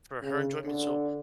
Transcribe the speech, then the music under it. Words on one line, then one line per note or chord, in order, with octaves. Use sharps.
for her enjoyment, so,
C#3
D3